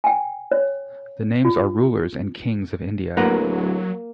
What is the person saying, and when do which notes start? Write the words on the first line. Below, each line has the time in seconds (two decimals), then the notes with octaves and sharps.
The names are rulers and kings of India.
0.04 G5 G#5
0.51 C#5
1.45 F4
3.17 D1 F#3 A#3 A#4 B4 F#5